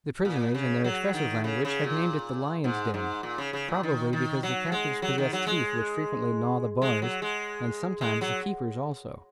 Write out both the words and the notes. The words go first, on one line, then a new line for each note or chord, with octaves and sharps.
The prisoners, in their expressive language, have named it the "Lions' Den," probably because the captives possess teeth which frequently gnaw the bars, and sometimes the keepers also.
A#2
C#3
F#3
D#3
C#3
C#3
A#2
G#2
G#2
A#2
C#3
C#3
A#2
D#3
D#3
F#3
G#3
F#3
D#3
F#3
G#3
G#3
F#3
G#3
G#3
F#3